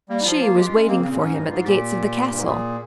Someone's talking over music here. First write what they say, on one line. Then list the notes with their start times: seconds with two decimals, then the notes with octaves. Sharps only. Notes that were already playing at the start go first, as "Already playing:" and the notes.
She was waiting for him at the gates of the castle.
0.09 G3 A#3
0.21 D#4
0.25 F3 F4
0.41 A#3
0.56 G#3 G4
0.67 F4
0.77 C#4
0.87 A#3 C4
0.98 C#3 C4
1.09 A#2
1.19 G#2 C#4
1.34 G2 D#4
1.51 G#2 F4
1.65 A#2 G4
2.29 G2
2.37 G#2
2.44 A#2 G#4